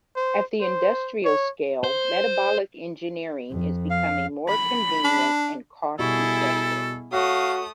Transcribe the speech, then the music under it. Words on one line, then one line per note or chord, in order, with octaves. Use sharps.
At the industrial scale, metabolic engineering is becoming more convenient and cost effective.
C5
C5
C#5
C5
F2
F5
B5
D4
B2 G3 E4 G#4 A4 C#6
A3 F#4 C#5 F5 D#6